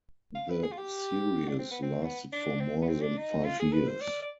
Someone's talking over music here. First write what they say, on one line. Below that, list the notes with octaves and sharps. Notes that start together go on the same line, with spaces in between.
The series lasted for more than five years.
F5
B4
G#4
F4
G4
D4
C4
B3
C4
B3
D4
C4
B3
C4
D4
D#4
F4
G#4
B4
C5
D5
D5